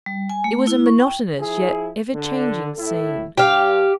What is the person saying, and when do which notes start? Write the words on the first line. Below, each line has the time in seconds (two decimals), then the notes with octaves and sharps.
It was a monotonous yet ever-changing scene.
0.06 G3
0.30 G#5
0.44 A3
0.67 E4
0.86 C#6
1.00 G5
1.39 F3 E4 G#4
2.13 D3
2.76 A2 E4 A4
3.38 G2 G3 G4 F5